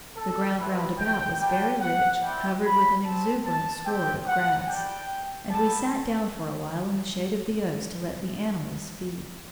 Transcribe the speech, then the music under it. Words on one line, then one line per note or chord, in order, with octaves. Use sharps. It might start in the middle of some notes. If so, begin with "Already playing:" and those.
The ground round about was very rich, covered with an exuberant sward of grass; and we sat down for a while in the shade of the oaks to let the animals feed.
A4
C4 E4 G4 B4
G5
G3 D4 F#4 G5
F#5
G3 C4 E4 G4 G5
B5
C4 G4 A5
A5
C4 G4 G5
F#5
G3 D4 G4 G5
B3 E4 G4 A5